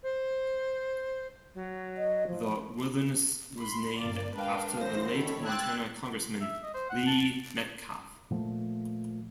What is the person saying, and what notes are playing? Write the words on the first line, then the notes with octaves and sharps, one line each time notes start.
The wilderness was named after the late Montana congressman Lee Metcalf.
C5
F#3
D#5
F3
B5 C6
G1 A#3 D5
G#3 D4 A#4 B4 F5 G5
F#2 E3 F3 C5 A#6
D#3 A4 C#5 B5
G5 C6 E6 F#6 G#6 A6
E5
D#5
C5
F#5
A5
A#2 F3 A3